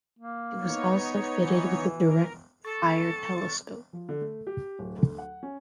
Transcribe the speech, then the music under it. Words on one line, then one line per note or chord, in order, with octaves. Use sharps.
It was also fitted with a direct fire telescope.
A#3
B3 D#4 C#5
E3
A#4
A4 C#6 A6
F3
D3
A3
G4
D1
D2
F#5
C#4